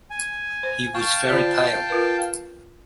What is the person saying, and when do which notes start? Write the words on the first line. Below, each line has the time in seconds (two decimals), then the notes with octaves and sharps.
He was very pale.
0.10 G#5
0.63 C5
0.95 F5 G5 A5 C#6
1.29 D3 F4 D5
1.90 F4 A#4 B4